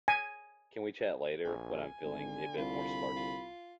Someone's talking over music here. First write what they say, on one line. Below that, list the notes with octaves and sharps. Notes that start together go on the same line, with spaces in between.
Can we chat later when I'm feeling a bit more sparky?
G#5
A#1 G#5
G#1 D3
C2 F4 B5
F4